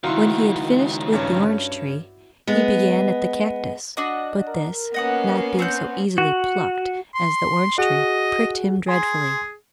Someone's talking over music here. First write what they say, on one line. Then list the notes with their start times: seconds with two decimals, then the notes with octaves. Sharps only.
When he had finished with the orange-tree, he began at the cactus; but this, not being so easily plucked as the orange-tree, pricked him dreadfully.
0.04 C#2 D#3 E4 F#4 F5 C6
1.12 G2 C#4
2.47 G#3 B3
3.97 D4 F#4 D#5
4.47 A#4
4.94 A#3 B3 C#4 D#5 F#5 D#6
5.59 C4 F#5 G6
6.18 F#4
7.15 C6
7.78 F#4 G#4 D#5 F#5
8.88 G#4 G#5 C6